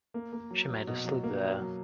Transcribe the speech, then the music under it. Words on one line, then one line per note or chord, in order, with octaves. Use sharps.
She made a slip there.
A#3
A#3
F#3
F#3
B2
F#3
A#3
F#3
F#3